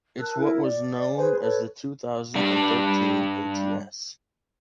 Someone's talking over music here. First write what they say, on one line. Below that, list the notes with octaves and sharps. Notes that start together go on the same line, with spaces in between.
It’s what was known as the two thousand and thirteen ATS.
A#4 A5 E6 F#6
E4 A#4
D5
G#4 B4 C5 G#5
A4 B4 C#5
G2 G3 D4